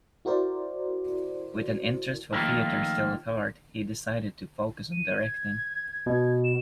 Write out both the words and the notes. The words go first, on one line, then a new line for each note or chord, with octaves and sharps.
With an interest for theatre still at heart, he decided to focus on directing.
E4 F#4 A#4 C5 D5
D#3 F3 A3 A#3
D#7
G#6
B2
E7